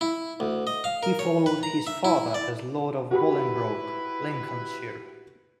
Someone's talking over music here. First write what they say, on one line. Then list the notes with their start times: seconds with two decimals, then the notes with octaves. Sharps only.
He followed his father as Lord of Bolingbroke, Lincolnshire.
0.01 E4
0.40 D2
0.67 D#5
0.84 F5
1.03 A#4
1.19 C#5
1.46 B4
1.63 A#5
1.87 E5
2.04 E4
2.34 D5
3.11 E4 F#4 G4 B4 B5